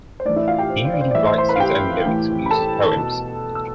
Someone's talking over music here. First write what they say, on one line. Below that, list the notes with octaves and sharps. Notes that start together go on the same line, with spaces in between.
He usually writes his own lyrics or uses poems.
C5
A2 E3 D4 D5
E4 E5
F4 F5
G4 G5
C5
C5
D5
C5
D5
A2 E3 E4 E5
C5 C6
C5 C6
B4 B5
F5
G4 G5
A2 E3
B5
A4 A5
B2
E6